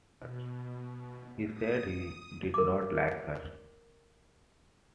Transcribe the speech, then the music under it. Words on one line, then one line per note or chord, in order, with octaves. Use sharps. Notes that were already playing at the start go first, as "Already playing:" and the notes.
He said he did not like her.
B2
D#6
A#4 D6